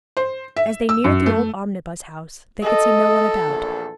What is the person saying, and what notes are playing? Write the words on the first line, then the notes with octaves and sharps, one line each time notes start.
As they neared the old Omnibus House they could see no one about.
C5
E5
E6
F#2
A3
A4 D#5
A#1 E2